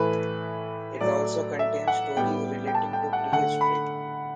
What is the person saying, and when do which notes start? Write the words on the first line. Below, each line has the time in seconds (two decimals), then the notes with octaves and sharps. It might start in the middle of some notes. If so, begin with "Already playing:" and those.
It also contains stories relating to prehistory.
Already playing: A2 E3 A3 B4
1.00 A2 F#3 A3 D5
1.59 E5
1.88 F#5
2.17 A2 G3 B3 G5
2.67 G5
2.75 A5
2.93 G5
3.13 F#5
3.32 D3 A3 F#5
3.61 B5